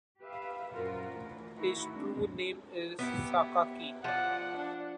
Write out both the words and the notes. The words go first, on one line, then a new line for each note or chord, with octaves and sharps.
His true name is Sakaki.
G4 B4 E5 F5
F#2 A#2 F4 F#4 A#4 C5
D2 E3
A2 D#3 D#4 E4 F#4
G#3 C4 D4
B3 E4 G4
F3 D5 F#5
D4